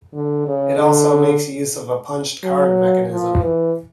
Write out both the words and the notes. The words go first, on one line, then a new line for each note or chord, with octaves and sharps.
It also makes use of a punched card mechanism.
D3
C#3
D3
F#3
F3
E3